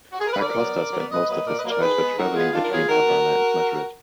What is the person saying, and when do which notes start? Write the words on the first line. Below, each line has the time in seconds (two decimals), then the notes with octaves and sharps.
Acosta spent most of his childhood travelling between Havana and Madrid.
0.11 F#4
0.19 G#4
0.26 A#4
0.33 B4
0.40 D3 A#4 D5
0.58 F#3 B3
0.75 D3
0.93 F#3 B3
1.11 A#2 B4 D#5
1.28 F#3 A#3 B4 D#5
1.47 A#2 A#4 D5
1.59 B4 D#5
1.65 F#3 A#3
1.70 A#4 D5
1.81 D#3 G#4 B4
2.00 G#3 B3
2.17 D#3 F#4 A#4
2.35 G#3 B3 F4 G#4
2.53 D#3 D4 F4
2.62 A#4
2.70 F#3 B3 F4 G#4
2.88 D#3 F#4 A#4
3.07 F#3 B3